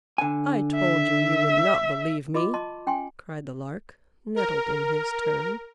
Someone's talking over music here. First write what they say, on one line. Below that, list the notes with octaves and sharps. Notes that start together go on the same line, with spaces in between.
"I told you you would not believe me!" cried the Lark, nettled in his turn.
D3 G#5
E5
F4 D#5 C6 D6
D#5 A5 C6
C#4 G5 G#5 C6
A#4